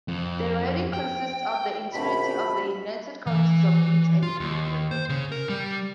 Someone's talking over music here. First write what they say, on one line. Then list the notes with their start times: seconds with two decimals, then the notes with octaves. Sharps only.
The riding consists of the entirety of the United Counties of Leeds and Grenville.
0.08 F2
0.93 G5
1.93 A#1 B2 D3 A3 B5
3.27 E3
4.23 F4
4.40 D#2
4.91 C5
5.09 C#3
5.32 A#4
5.49 G3